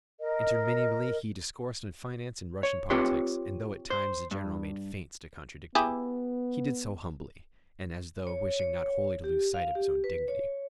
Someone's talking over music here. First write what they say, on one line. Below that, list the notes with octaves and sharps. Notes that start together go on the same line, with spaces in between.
Interminably he discoursed on finance and Russian politics, and though, at times, the General made feints to contradict him, he did so humbly, and as though wishing not wholly to lose sight of his own dignity.
A#4 D#5
C#5
C4 F4 G4 B4 C#5 C6
C5
G2
B3 E4 G4 G#4
C#5
C#5
G4
F5
G4
B4
C#5